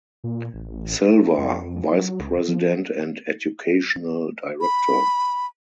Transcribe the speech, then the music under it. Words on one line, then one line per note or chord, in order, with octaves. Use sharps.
Silver, vice president and educational director.
A#2
A1
A1
A3
F2
F#3
C#2
F3
B5